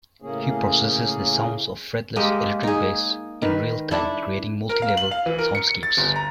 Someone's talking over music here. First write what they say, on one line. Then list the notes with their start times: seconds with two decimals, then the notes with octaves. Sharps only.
He processes the sounds of fretless electric bass in real time, creating multi-level soundscapes.
0.22 A2 C#3 A#3 C#4 G#4
2.16 G#3 A#3 G4 D#5
2.63 D#4 G#4
3.42 D#3 B4
3.91 D4 E4 A4
4.69 A#4
4.82 F5
4.97 F#7
5.11 F5
5.26 E3
5.38 A#4
5.55 C#7
5.70 C#7
5.83 A6
5.97 G1
6.16 A#5